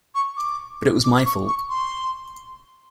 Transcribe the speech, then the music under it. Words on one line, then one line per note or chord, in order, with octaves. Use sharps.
But it was my fault.
C#6
D6
D6
C#6
C#6
C6